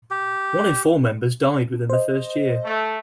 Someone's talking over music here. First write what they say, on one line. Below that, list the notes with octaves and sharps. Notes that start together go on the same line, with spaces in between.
One in four members died within the first year.
G4
C5 D#5
A3